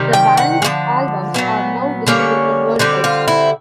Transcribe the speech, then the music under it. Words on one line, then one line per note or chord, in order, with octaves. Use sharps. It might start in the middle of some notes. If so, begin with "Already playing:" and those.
The band's albums are now distributed worldwide.
Already playing: C3 D#3 G3
G5
F#5
G#3
D3 F3
A#2 F#3 B3
D3 G3 A#3 C#4 C#5
D3 G3 C4 G4
F4
E4